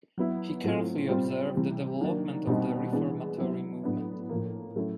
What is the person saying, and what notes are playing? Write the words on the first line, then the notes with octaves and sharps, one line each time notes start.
He carefully observed the development of the reformatory movement.
F#3 B3 E4
A2 F#3 A3 C4 F4
G3 C4 F4
C3 E3 G3
D#3 F#3 A#3 D4
B2 G3 C4 D#4
E3 G#3 B3 D4
F#3 B3 E4
A2 F#3 B3 D4
A2 F3 A#3
F#3 A3 C#4 E4